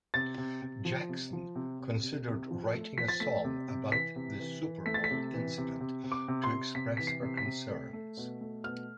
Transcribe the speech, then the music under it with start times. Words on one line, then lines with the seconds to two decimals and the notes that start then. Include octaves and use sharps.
Jackson considered writing a song about the Super Bowl incident to express her concerns.
0.14 C3 A6
0.38 C3
0.62 C3
0.85 F3
1.09 C3
1.33 F3
1.55 C3
1.80 C3
2.03 C3
2.27 C3
2.51 F3
2.75 A3
2.97 F3 B6
3.08 A6
3.20 A3 B6
3.44 C3
3.68 C3
3.92 E3 B6
4.16 C3
4.40 E3
4.63 E3
4.86 A3 B6
4.94 A6
5.04 B6
5.11 C3
5.34 E3
5.58 C3
5.80 C3
6.04 C3
6.12 D6
6.28 C3
6.44 C6
6.51 C3
6.75 C3 B6
6.97 E3 B6
7.07 C7
7.22 C3
7.37 B6
7.45 C3
7.69 A3
7.93 A3
8.17 B2
8.41 A3
8.64 B2 F6